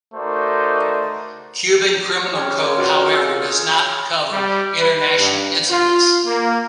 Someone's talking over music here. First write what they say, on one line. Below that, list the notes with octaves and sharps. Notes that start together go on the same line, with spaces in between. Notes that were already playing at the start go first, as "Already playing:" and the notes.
Cuban Criminal Code however does not cover international incidents.
A3 D#4 F#4 A#4 C5 D5
C#4 G4 G#4
G#3 A#3
F#3 F4 F#4 B4
F4 G#4 E6
C6
G3
B4
G2
F4
A#3